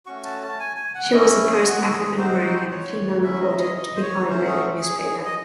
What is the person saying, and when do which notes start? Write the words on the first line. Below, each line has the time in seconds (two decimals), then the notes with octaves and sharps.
She was the first African-American female reporter to be hired by the newspaper.
0.06 A3 C#4 F#4 C#6
0.25 A5
0.42 A5
0.60 G#5
0.76 G#5
0.95 F#5
1.12 A3 C#4 E4 D#5
1.48 G#4
1.61 G#4
1.64 F#4
1.83 A4
1.91 G#4
2.17 C4 D#4 F#4 C5
2.71 C#5
3.23 F#3 C#4 E4 E5
3.41 D#5
3.59 D#5
3.76 D#5
3.96 C5
4.02 C#5
4.29 F#3 A3 C#4 C5
4.47 G#4
4.82 G#4
4.99 G#4
5.26 D#5